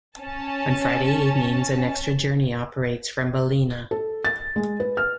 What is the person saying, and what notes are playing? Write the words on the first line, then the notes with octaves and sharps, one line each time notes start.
On Friday evenings an extra journey operates from Ballina.
C#4 A5
A4
A6
G#3
B4
F6